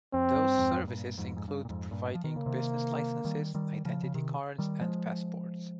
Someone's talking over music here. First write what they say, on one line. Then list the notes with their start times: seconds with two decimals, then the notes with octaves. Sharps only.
Those services include providing business licenses, identity cards and passports.
0.13 F2 C4
0.35 G2
0.58 F2 G#2
0.83 G#2
0.87 G2 A#2
1.18 F2 G#2
1.37 G#2
1.48 G2
1.65 A#2
1.69 F2 G#2
1.91 G2 A#2
2.15 F3
2.24 D#3
2.36 C#3 A#3
2.46 C3 D#3
3.25 D#3 G3
3.55 D#3 G3
3.85 C#3 F3
4.03 C#3
4.14 C3 D#3
4.58 D#3 G3
4.81 F3 G#3